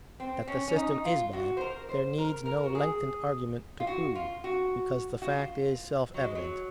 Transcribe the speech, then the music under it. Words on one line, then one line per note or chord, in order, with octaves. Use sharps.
That the system is bad, there needs no lengthened argument to prove, because the fact is self-evident.
C4
C#4
C#4
D#4
F4
F#4
C5
A#4
C5
A#4
A#4
F#4
G#4
F4
F#4
F4
F#4
F#4
F4
F#3
G#3
F#3